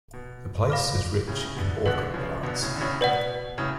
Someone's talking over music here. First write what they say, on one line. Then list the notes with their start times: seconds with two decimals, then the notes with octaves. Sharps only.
The place is rich in orchid plants.
0.13 B2
0.70 F5 B5 D6 F6
1.27 A2 C#3
1.56 B2 D3
1.86 B2 D3 B4 F#5 C#6 F#6
2.14 C#3 F3
2.43 B2 D3
2.62 A2 C#3
2.76 D3
2.81 A2 C#3
3.01 B2 B4 D5 F#5
3.58 A2 C#3